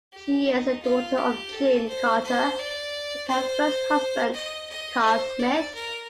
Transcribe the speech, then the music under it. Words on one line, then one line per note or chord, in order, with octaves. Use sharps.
She is the daughter of June Carter and her first husband, Carl Smith.
G4
D#4
F4
G4
A4
C5
C5
D5
C5
D#5
D#5
C5
D5
A#4